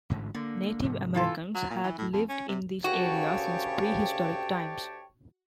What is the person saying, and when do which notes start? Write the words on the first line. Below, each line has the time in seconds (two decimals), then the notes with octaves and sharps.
Native Americans had lived in this area since prehistoric times.
0.10 A1 G#2 D3
0.35 D3 A#3
0.83 G#2 C3 F3
1.14 E3 F4 A4
1.55 F#3
1.70 A#2
1.84 E3
1.98 A2
2.13 F2
2.29 C#4
2.48 C3
2.84 D2 A#2 C#3 F#4 G4 C#5 G5 A5